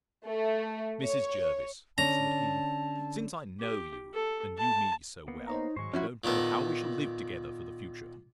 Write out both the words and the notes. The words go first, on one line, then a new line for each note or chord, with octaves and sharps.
Mrs. Jervis, said he, since I know you, and you me so well, I don't know how we shall live together for the future.
A3
C#5
D3 C#4 A5 A#5
G4
A4
A5
A#3 B3
D#4 C5 C#5 A#5
G#2 D#3 F#3 G#3 C5 C#6
F3 C#4 E4 F#4
A#2 D#3 B3 A4